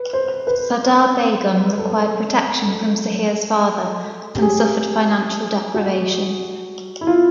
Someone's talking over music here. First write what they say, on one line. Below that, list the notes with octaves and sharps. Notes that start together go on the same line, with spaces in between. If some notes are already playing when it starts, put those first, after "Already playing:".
Sardar Begum required protection from Sahir's father and suffered financial deprivation.
Already playing: B4
C5
B4
A4
G4
G#4
F#4
E4
F4